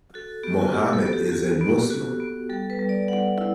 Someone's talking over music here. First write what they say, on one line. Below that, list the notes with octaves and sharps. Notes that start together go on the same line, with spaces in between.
Mohammed is a Muslim.
F#4 A4
B3 G4
F#4
F#4 G4
A4
B3
G4
F#4
B3
F#4
B3
G3 A4
B4
G3
D5
B3 F#5
E4